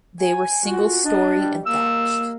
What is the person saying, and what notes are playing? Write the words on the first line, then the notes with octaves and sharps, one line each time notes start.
They were single storey and thatched.
G#5
F4 F#4
D4 D#5
G3
A#3 E6